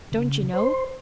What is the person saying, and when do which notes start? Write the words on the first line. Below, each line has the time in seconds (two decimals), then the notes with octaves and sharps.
Don't you know?
0.12 C#3
0.53 C5 C6